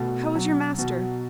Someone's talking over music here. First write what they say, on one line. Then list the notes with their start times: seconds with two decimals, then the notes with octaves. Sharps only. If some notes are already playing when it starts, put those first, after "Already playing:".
How is your master?
Already playing: B2 A3
0.35 F#3
0.78 B2